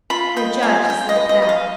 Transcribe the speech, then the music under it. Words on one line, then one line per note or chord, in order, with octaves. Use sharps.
The judge is like that.
F4 B5
D#5 G5
F4 G#5
F4 G5
D#5
B4
D#5
D#5
F5